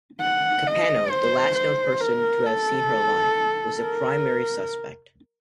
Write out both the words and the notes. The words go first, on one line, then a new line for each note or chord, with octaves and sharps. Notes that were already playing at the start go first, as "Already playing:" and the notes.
Capano, the last known person to have seen her alive, was the primary suspect.
F#5
D#5
C5
C5
A#4
A4
A#4